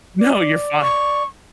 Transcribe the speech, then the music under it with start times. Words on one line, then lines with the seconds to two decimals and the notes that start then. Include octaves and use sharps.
No, you're fine.
0.20 D5
0.82 C#6